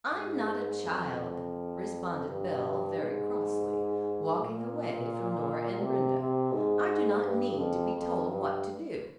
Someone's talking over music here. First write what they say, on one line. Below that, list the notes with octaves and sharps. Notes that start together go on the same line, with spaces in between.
"I'm not a child," responded Belle very crossly, walking away from Nora and Brenda, "I do not need to be told what to do."
G#2
F2
G2
G#2
A#2
C3
C3
G#2
G2
F2
F2
G2